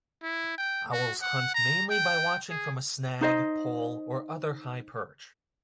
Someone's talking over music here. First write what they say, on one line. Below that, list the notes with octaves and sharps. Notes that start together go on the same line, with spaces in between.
Owls hunt mainly by watching from a snag, pole or other high perch.
E4
G5
F#4
F#5
A#5
G5
G#4
D#4 C5 D#5